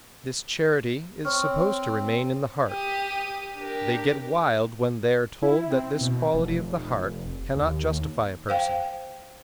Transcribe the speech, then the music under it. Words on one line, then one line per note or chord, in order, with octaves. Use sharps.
This charity is supposed to remain in the heart. They get wild when they are told that this quality of the heart cannot justify a person.
C4 C#5 C#6 F6
G4 D#6
D4 G4 A#4
E4
C4
B2
F1
D#2
C5 F5 G5